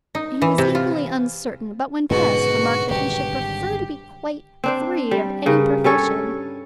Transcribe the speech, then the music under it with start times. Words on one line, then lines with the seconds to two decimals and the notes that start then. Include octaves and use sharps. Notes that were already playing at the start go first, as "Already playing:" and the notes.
He was equally uncertain, but when pressed remarked that he should prefer to be quite free of any profession.
0.15 D#4
0.42 E3
0.58 C3
0.75 F4
2.10 C#2 G#2 B2 D3 D#3 F#4
2.90 G#1 D3 G3 G4
4.64 C4 D4 C5
5.11 G3
5.46 G2 C#3 A#4
5.84 G3 C#4 A4 C#5